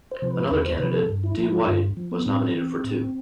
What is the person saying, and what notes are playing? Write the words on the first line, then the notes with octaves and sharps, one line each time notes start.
Another candidate, D Whyte, was nominated for two.
C5
C3 F3
B4
E2 B4
C5
C3 F3 B4
A4
G2
E4
F3 E4
F4
G2 F4
F3
B3
A2 C4
E3
A2